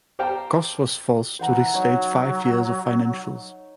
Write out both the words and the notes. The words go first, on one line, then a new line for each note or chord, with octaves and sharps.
Koss was forced to restate five years of financials.
G4 C5 F5 G5 A5 A#5
E3 C5 F#5 A#5
F#3 D#4 C#5